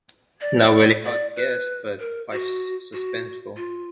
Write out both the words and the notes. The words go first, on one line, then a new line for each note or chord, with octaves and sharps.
Not very hard to guess, but quite suspenseful.
D5
D5
B4
A#4
F#4
F#4
F4